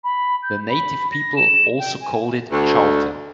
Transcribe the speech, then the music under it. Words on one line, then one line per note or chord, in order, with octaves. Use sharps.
The native people also called it Chalten.
B5
G6
B5
A#6
E7
G5
G#5
D2